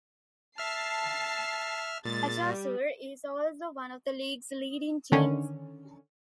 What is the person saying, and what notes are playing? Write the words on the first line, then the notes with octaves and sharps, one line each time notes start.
Cajasur is also one of the league's leading teams.
E5 A5 F6 C7
A#2 G#3 A6
G3
D3 D#3 C#4